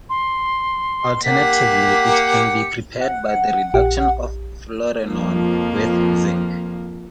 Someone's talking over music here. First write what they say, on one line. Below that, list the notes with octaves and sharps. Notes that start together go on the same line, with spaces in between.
Alternatively, it can be prepared by the reduction of fluorenone with zinc.
C6
A#3 G4 F#5 B6
C#7
F#5
A#1 G4
F2 F3 A#3